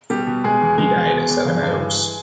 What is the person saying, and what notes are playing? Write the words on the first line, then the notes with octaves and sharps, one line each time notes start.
He died at Sevenoaks.
B2 G3 G4
B2
B2 G#3 G#4
E2
E2 G#3 G#4
B2
B2
E2
G2
G2
E3